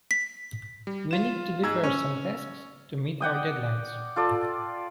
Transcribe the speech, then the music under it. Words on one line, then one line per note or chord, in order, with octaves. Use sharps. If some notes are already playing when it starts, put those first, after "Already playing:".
We need to defer some tasks to meet our deadlines.
B6
G3
F4 E7
G#2 E6 G#6
C#4
D5 F#5 G5 D#6
F4 A4 D5